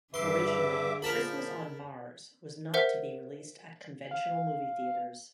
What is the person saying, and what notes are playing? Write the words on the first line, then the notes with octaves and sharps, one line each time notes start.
Originally, "Christmas on Mars" was not to be released at conventional movie theaters.
G2 D3 G#4 B4 E5 C6 D6
A#2 F3 A#4 A5 B5
A#4 C5 E5 F#5
F5